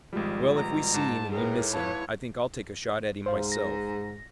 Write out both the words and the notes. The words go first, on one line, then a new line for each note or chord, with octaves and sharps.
"Well, if we see him, and you miss him, I think I'll take a shot at him myself."
G#1 F3 G3 G#3
B2 A#5
G#2 A5
A2 G#4 A#4 B4
E4 B4 C#5 F5 A5
G#2 C5 F5
A#6